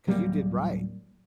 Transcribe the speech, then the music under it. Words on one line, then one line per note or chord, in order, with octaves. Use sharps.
'Cause you did right.
D1 F#3 G3 A#3